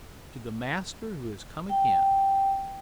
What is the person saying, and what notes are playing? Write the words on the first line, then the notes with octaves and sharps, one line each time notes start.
To the master who has come again!
G5